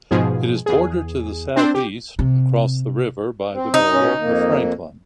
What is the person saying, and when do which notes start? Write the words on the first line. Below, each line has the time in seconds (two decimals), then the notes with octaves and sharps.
It is bordered to the southeast, across the river, by the borough of Franklin.
0.11 G#2 B2 F3 G#4
0.66 E2 G#4
1.56 C4 D4 C5
1.74 G4
2.19 C3
3.53 C4
3.74 D#4
3.90 B2 C#4
4.20 F2 A#3